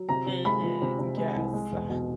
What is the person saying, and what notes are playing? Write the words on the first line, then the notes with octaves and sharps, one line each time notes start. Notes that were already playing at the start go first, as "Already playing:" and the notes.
Mhm, yes, ugh,
Already playing: F#3
C3 A#5
C3
G#3 B5
F3
C3
C3
G#3
C2
G#3
E1
B2